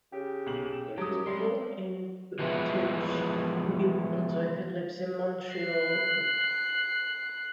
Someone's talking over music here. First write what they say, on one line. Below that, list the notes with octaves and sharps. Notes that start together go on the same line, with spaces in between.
She was born in Bouctouche, New Brunswick and lives in Montreal, Quebec.
C#3 G4
B1 F#7
E7
F#3 G4 D#6
F#2
C3 G3 G#3 C6 C7
E3 F3 G#3 B3 E4
F#6 C7